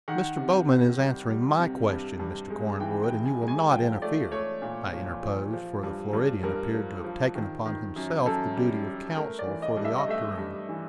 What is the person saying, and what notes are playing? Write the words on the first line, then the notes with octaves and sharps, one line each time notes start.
"Mr. Bowman is answering my question, Mr. Cornwood, and you will not interfere," I interposed, for the Floridian appeared to have taken upon himself the duty of counsel for the octoroon.
D#3 F#5
C3
C3
G3
G3
C3
G2
G2
G#3
E3 G5
G5
E3
G#5
G#3
G#5
F3 G5
A3 D5
A3 C#5
A#2
F3
F3
F3
G2
G2
G2 A#4
F3
F3
D#3
D#3
F#2
F#2 A4
G3
G3
A3 A#4
D5
E3
D#5
G2
E5
D#5
A3 E5
G2
E3